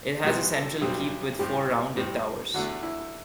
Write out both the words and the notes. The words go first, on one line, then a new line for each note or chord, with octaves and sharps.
It has a central keep with four rounded towers.
B1 B2 G3 C4 F#5
A4
B1 B2 G3 C4
A2 G3 C4 G4
A2 G3 C4
E2 D3 A3 F#4
E4